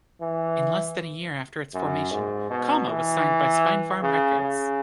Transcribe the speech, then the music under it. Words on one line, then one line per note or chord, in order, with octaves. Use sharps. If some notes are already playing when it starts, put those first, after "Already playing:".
In less than a year after its formation, Kalmah was signed by Spinefarm Records.
E3
F#2
G#2
B2
E3
C#3
C#3